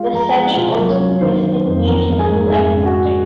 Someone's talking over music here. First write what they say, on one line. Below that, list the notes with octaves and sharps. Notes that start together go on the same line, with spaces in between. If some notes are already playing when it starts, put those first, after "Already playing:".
The study also tested males and blue-eyed subjects.
Already playing: G#3 F4 F5
F3 A#5
G#5
G#3
F#5
C3 F4 F5
F#3
C#4 C#5
F#3
D#3 C5
D#3
F2
F3 A#4
G#2
G#4 G#5
G#2
F2 G#4 G#5
C#3
F#4 F#5
C#3